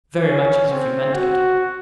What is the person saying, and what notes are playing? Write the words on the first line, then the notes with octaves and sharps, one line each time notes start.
"Very much as if you meant it."
C#4
C4
F#4